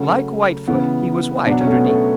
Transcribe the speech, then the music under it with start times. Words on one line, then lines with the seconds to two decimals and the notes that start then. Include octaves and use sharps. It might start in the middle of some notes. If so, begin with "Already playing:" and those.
Like Whitefoot he was white underneath.
Already playing: C#3 F#3 A3
0.68 C#3 E3 B3
1.47 B2 F#3 D4
1.61 C#4
1.67 A3
1.73 B3
1.87 A3